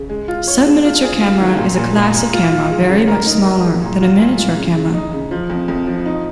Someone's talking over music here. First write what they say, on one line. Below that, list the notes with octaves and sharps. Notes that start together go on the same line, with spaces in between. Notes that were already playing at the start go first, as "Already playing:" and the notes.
Subminiature camera is a class of camera very much smaller than "miniature camera".
Already playing: C#3
G#3
F4
C#5
G#3
F4
G#4
F4
D#3
A#2
A#2
A#2
A#2
F4
F4
G#3
C#3
A#4
D#4
A#4
G#3
A#2
F4
A#2
F4
C#3
C#3
D#4
C#3
F3
F2
F2
F3
D#4